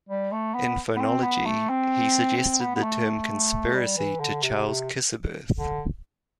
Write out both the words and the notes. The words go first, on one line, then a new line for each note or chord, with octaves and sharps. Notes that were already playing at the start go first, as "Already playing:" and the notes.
In phonology, he suggested the term conspiracy to Charles Kisseberth.
G3
A3
B3
B3
C4
B3
A3
C4
C4
B3
B3
A3
G3
E3
D3
C3
C3
D3